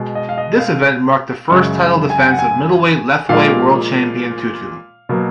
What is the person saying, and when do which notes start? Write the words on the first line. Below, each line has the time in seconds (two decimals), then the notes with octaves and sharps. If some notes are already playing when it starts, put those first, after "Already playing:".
This event marked the first title defence of middleweight Lethwei world champion Too Too.
Already playing: B2 G#3
0.15 D#5
0.29 F5
0.38 D#5
0.60 F5
1.49 F#2 C#3 G#3 C#6
2.10 G#5
2.30 F#5
2.39 G#5
3.29 A#2 F3 G#3 F5
5.09 B2 F#3 A#3